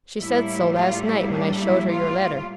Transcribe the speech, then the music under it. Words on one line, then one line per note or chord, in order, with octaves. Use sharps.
She said so, last night, when I showed her your letter.
A2 G3 A#3 E4
F4
E4
D4
E4
F4